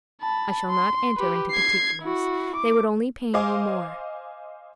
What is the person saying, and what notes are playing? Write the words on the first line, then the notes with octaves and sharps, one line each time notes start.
I shall not enter into particulars--they would only pain you more.
A5 B5
C6
G4 B4
G#6 C7
E4 F#4
D6
C5 D#5 F5 G#5 C6 D6